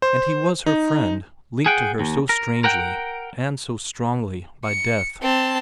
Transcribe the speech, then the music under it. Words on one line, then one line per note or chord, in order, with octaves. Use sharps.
And he was her friend, linked to her so strangely and so strongly by death.
C5
D#4
G#4 F#5 G5
D#2
A#4
A#4 F#5 G5
C#7
C4 A5